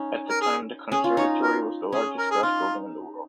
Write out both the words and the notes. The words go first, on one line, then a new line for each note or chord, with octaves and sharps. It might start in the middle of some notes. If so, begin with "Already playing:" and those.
At the time, the conservatory was the largest glass building in the world.
Already playing: C#4 D#4
A#4
G#4
C#4 G#4
F4
D#4 C#5
A#4
C#4 G#4
A#4
G#4
D#4 F4